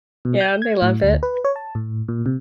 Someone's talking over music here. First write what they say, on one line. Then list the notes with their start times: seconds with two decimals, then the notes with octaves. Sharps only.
Yeah, they love it.
0.25 B2
0.41 G6
0.62 G#6
0.82 A2
1.02 D2
1.23 B4
1.45 C#5
1.56 A5
1.75 A2
2.08 A#2
2.26 C3